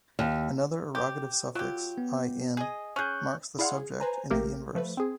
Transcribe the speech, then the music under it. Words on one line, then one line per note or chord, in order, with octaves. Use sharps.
Another ergative suffix "-in" marks the subject in the inverse.
D#2
G4
F#3 F4 G4
B3
G#4 D#5
C#4 G#4 C#6 F#6 G6
E4 G#4 D5 F5 F#5 C6
G#4
B4 C5 G#5 A#5
A#1 A3 A#3 G4 A#4
F3 A3 B4
C4 G#4